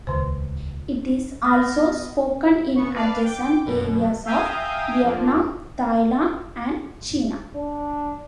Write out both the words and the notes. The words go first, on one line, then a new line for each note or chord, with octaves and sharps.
It is also spoken in adjacent areas of Vietnam, Thailand and China.
D#1 C#2 D#3 C5
B3 F6 A#6
C#3 B3 C#6
B4 D5 F5 A5
G5 D6
F#2 B2
E5 F5 G5 G#5 A#5 D#6
F2 F3 A#3 D4
D4